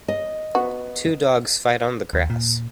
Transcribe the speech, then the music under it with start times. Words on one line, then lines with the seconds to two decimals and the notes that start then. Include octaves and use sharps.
Two dogs fight on the grass.
0.08 D#5
0.55 B3 F#4
2.13 D#2
2.30 A#2